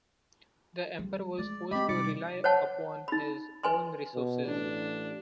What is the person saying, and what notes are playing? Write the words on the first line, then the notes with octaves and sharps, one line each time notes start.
The emperor was forced to rely upon his own resources.
F3 G3
G#3 D5
G#3 C4 G4 D#5 B5
C3 G3 D#4 D5 D6 C#7
C5 C#5 F#5 A5
D#4 B5
B4 G#5 C6
B2
A1 D4